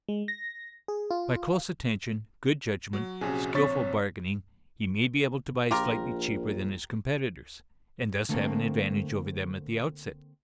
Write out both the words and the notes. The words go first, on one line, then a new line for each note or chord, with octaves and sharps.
By close attention, good judgment, skilful bargaining, he may be able to buy slightly cheaper than his competitors, and thus have an advantage over them at the outset.
G#3
A#6
G#4
F4
F#3
A#1 C3 C#4 F#4 G#4
C4 C#5 C#6 A6 B6
A#1 F4 G4 A#4
D3 A3 A#3 C4